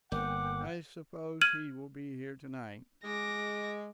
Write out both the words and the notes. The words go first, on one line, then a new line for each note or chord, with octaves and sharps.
"I suppose he will be here to-night?"
G1 A#3 F#5 G5 D6
F6 G#6 D#7 F#7
G#3 D6 A#6